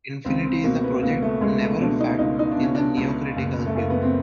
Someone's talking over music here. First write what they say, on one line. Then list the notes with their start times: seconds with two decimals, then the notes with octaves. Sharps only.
Infinity is a project, never a fact, in the neocritical view.
0.25 C#2 C4
0.44 C4
0.64 B2 A#3
0.84 B3
1.02 C#2 A#3
1.22 A3
1.41 C#2 G#3
1.61 A3
1.80 B2 D4
2.00 D#4
2.19 C#2 D#4
2.39 D#4
2.51 D4
2.58 B2
2.63 C#4
2.75 D4
2.97 C#2
3.36 F#1
3.66 A3
3.75 F#1 A#3
3.90 B3
4.02 C4